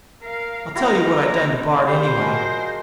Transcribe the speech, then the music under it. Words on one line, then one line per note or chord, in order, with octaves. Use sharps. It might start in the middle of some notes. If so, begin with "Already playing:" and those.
I'll tell you what I done to Bard, anyway.
A#4 F5
A#3 D#4 E4 F#4 A#4 C6
G3 C5
F3 G#3 F#4 G#4 A#4